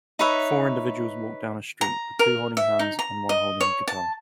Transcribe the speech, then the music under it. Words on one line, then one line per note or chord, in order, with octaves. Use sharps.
Four individuals walk down a street, with two holding hands and one holding a guitar.
D#4 B4 C#5 E5
A#5
A#4
E5
D#4
A#5
D#5
C#5
A5